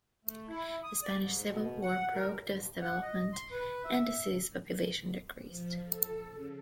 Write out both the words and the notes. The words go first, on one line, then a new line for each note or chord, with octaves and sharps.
The Spanish Civil War broke this development, and the city's population decreased.
A3
E4
D#6
D5
G#2
B2
F#5
A#4
F#5
D#5
C6
B4
E5
F3
A4
C#3